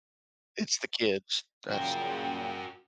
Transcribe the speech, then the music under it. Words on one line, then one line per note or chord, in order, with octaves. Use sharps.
It's the kids. That's
A#2 C#3 F#4 A#4 G5